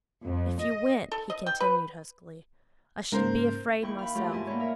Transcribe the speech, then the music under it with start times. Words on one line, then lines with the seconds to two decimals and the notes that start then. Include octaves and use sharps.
'If you went,' he continued, huskily, 'I should be afraid myself.
0.24 F2
0.62 D#5
1.12 A4
1.30 D#5
1.46 G5
1.60 B4
3.12 G#2 C#3 A#3 A#4 C5
3.82 D#2 E4 G5 C#6 F#6
3.99 F5 B5
4.15 F#3 A3 F4 G4
4.31 G#2 E4 G#5 A5
4.47 A#3 B3 D4 C#5
4.60 A#4 E5 F5